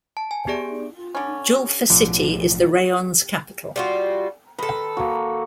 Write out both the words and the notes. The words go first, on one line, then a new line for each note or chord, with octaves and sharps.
Julfa city is the rayon's capital.
A5
G#5
B3 G4 G#4 D5 D7
D3 C#4
B1 A2 D3 F3
G3 F4 F#4
D#3 A4 B4
A#3 F#4